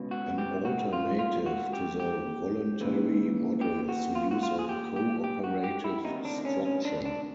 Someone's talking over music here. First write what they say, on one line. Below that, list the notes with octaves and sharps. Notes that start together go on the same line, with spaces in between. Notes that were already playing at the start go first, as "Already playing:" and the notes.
An alternative to the voluntary model is to use a co-operative structure.
Already playing: C#2 B2
F#4
G4
F#4
F4
F4
F#4
G4
G4
D#2 C#3 E3
G4
F#4
F4
F#4
F4
G#4
G4
G4
G4
F#4
G4
E4
D2 C3 D#3 D#4
D4
C#4
C#4
D4
D4